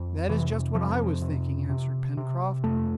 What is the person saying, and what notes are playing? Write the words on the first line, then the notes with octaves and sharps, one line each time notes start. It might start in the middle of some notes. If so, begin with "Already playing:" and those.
"That is just what I was thinking," answered Pencroft.
Already playing: F2
C3 E3
F2 F3
C3
C3
C3
F2 A3